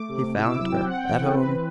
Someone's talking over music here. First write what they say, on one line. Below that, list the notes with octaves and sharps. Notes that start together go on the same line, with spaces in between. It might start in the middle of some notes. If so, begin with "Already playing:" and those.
He found her at home.
Already playing: A3 D6
C3
E4 E6
D6
F#3 E6
G5
C4 F#5
G5
E3 F#5
A4
C4 B4